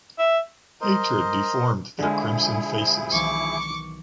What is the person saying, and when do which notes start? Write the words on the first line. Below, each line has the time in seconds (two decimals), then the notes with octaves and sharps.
Hatred deformed their crimson faces.
0.19 E5
0.81 A#4 C5 D#5
1.99 D3 F3 G#3 E4 G#4
3.12 B1 D#3 E3 C#6 D6